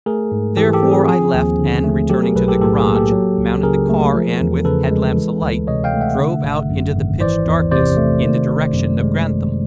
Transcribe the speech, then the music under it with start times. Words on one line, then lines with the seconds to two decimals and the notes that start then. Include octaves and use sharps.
Therefore I left and, returning to the garage, mounted the car and, with head-lamps alight, drove out into the pitch darkness in the direction of Grantham.
0.06 A3 G#4 A#4
0.32 G#2
0.57 E3 G4 A4
0.73 G4 A4
0.83 C4
0.91 G#4
1.08 F3 G#4
1.34 D#2
1.60 D3
1.84 A3
2.10 F#3 G4 A4
2.22 G#4 A#4
2.36 B1 A4 B4
2.48 G4 A4
2.61 A2 G4 A4
2.78 G#4
2.86 A#3
2.95 G4 A4
3.12 F#3
3.38 C#2
3.63 C#3 G#4 A#4
3.89 A3
4.15 F3
4.41 E2
4.65 C#3 A4 B4
4.91 G#3
5.16 E3
5.41 D2
5.67 C3 C#5 D#5
5.84 F5 G5
5.94 A3
6.01 E5 F#5
6.18 D3
6.44 G#1
6.70 F#2
6.95 G#1
7.20 E3 C5 D5
7.46 E2
7.71 C3 C5 D5
7.97 A3
8.23 D#3
8.48 G1
8.73 F#2
9.00 G#3